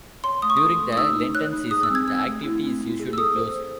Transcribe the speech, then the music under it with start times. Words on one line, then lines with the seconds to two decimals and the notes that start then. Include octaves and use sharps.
During the Lenten season the activity is usually closed.
0.24 C#5 C6
0.42 A3 D#6
0.50 C#6
0.57 A4 D#6
0.79 A3
0.92 D#6
0.97 D#4 E6
1.16 D#4
1.35 C#5 F#6
1.53 D#4
1.71 G#4 D#6
1.83 E6
1.90 C4
1.95 G#6
2.07 C4 E6
2.26 A3
2.44 E4
2.63 C4
2.81 E4
3.00 G#4
3.13 E6
3.17 A4 D#6
3.36 C5
3.54 C5